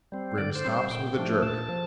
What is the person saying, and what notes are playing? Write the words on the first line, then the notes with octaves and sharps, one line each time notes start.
Grim stops with a jerk.
G3 C4
D3 D5
C5
G3 C4
C5
A#2 G5
F3 A3 D4
A#2 A5
F3